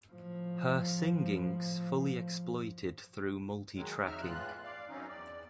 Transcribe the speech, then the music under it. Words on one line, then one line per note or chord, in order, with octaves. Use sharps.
Her singing's fully exploited through multi-tracking.
A2 F3
D#3 F#3 G#3
F2 F#3 D#4 E5 F6
E2 A2 E3 G#3 F4 F#6
D5 F5
F#2 E3 C4 C#4 D#4
E2 D5